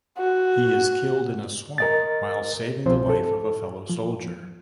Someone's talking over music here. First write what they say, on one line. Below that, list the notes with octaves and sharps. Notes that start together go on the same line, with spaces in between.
He is killed in a swamp, while saving the life of a fellow soldier.
F#4
A#4 D#5 A6
C2 B2 F3 C4 C5
A4
F3